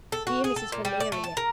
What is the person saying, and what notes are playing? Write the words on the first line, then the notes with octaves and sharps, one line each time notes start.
Dear Mrs. Valeria!
A4
F#4
G#4
A4
A#2
G3
D5
A3
A5
A#4